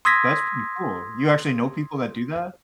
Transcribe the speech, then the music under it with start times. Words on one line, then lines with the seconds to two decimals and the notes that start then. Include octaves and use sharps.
That's pretty cool. You actually know people that do that?
0.05 C6 D#6 E6 G#6 A#6 B6